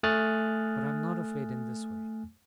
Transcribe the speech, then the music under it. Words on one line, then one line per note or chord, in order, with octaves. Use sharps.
But I'm not afraid in this way.
A3 G#5 D#6 F6 F#6 A6